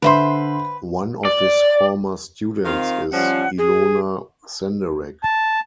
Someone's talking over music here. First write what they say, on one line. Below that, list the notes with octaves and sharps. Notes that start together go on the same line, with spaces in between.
One of his former students is Ilona Senderek.
D3 B4 C5 E5 B5 C6
D5
D#3 C4 F4 F5
F3 G3 C#4 F#5
G#4
A5